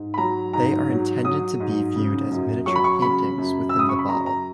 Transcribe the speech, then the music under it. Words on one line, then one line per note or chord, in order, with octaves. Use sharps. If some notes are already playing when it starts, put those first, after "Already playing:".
They are intended to be viewed as miniature paintings within the bottle.
Already playing: G#2
B5
F#3 A#5
G#2 A#5
F#3
F#3 D#6
G#2
C#3
F#2
F#3 C#6
B5
C#6
C#3 B5
F#2
C#3 E6
D#6
C#6
B5
F#2 A#5
A#5